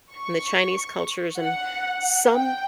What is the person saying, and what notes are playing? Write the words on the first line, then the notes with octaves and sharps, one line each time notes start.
and the Chinese cultures and some,
C#6
F#5
G5